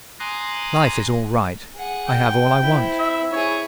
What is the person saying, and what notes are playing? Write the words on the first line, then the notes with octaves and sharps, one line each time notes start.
Life is all right; I have all I want.
G#5 A#5 C6 D6 D#6 F#6
G#4 F#5
G5
C4 E4
E5
E4 G#4 C#5